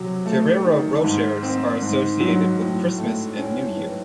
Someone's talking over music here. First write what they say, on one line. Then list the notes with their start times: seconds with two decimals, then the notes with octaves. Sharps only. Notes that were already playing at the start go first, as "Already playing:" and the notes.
Ferrero Rochers are associated with Christmas and New Year.
Already playing: C3 F#3
0.26 A3
0.65 D#3
1.04 G#2
1.43 C4
1.82 G#2
2.20 F#3
2.60 A2
2.98 A3
3.37 C#4
3.76 E3